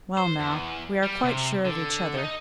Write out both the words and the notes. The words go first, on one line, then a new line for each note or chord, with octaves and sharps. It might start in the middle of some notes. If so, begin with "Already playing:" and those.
'Well now, we are quite sure of each other.
C5
E2
G3
C3
D3
D#4